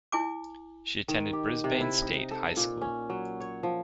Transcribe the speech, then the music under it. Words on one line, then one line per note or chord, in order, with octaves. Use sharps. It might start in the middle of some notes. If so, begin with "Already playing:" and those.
She attended Brisbane State High School.
E4 G#5 D6
D#3
G4
C3
E4
D#4
A4
A#2
C#4
F#3
C#5
F3